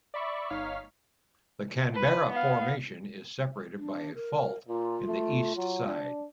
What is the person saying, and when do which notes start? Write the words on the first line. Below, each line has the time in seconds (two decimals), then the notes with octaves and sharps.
The Canberra Formation is separated by a fault in the east side.
0.14 D5 E5 B5 C#6
0.50 G1 D#4 C#5 F5 F6 B6
1.94 B4
2.30 B3 F5
3.78 D4
4.15 A#4
4.68 A#2 F4
5.07 A3
5.56 F#3
5.86 D4